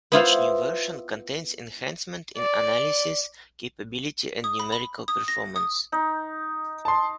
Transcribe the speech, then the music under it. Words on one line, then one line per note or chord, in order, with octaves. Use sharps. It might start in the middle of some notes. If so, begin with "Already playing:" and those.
Each new version contains enhancements in analysis capability and numerical performance.
B3 E4 F4 C5
D5
D#6
B5
B5
D#6
A#6
D#6
D#4
A5 C6